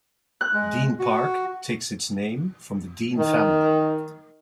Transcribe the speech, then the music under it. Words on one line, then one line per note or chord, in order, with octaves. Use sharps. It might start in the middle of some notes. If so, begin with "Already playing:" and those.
Dean Park takes its name from the Dean family.
F#6
G#3
F#4
D#3